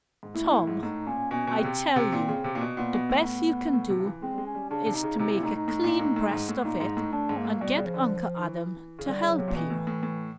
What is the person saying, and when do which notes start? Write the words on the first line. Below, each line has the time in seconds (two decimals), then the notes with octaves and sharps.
"Tom, I tell you the best you can do is to make a clean breast of it and get Uncle Adam to help you."
0.23 G#2
0.35 A2 E4
0.44 A#2
0.51 A2
0.67 G#2
0.83 A2 D#4
1.07 A#2 C#4
1.31 B2 C#4
1.47 B2
1.56 C#3 C4
1.64 C3
1.96 C3
2.12 A#2
2.28 C#3
2.44 C3
2.55 A#2
2.61 B2
2.77 A#2 B3
2.93 B2
3.10 A2
3.73 A2
3.89 C3
3.99 F3
4.06 E3
4.22 G#3 C4
4.34 G3
4.38 G#3
4.46 C#4
4.55 G3
4.70 C#3 D4
4.86 C3
4.94 D#4
5.03 C#3
5.19 C3 D#4
5.31 E4
5.37 A#2
5.43 A2 D#4
5.55 D#4
5.68 A2
5.84 A#2
6.00 A2
6.16 A2
6.31 G#2
6.49 A2
6.64 A#2 D#4
6.80 G#2
6.97 A2
7.12 A2 D4
7.29 G#2
7.37 A#3
7.45 A2
7.61 B2 G3
7.77 C#3
7.86 F3
7.94 D3
8.36 D#3
8.42 E3
8.99 C#3
9.06 D3 G3
9.22 C#3
9.30 F#3
9.38 C3
9.48 A#2
9.55 B2 E3
9.70 A2
9.87 A2
10.03 A2